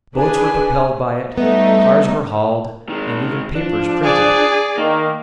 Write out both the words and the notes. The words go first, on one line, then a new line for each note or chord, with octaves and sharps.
Boats were propelled by it, cars were hauled, and even papers printed.
D4 G#4 B4 G#5
G3 A3 B3 D#4 E5
D#3 G#3
F3 D4
G#4 D5
D#3 A#3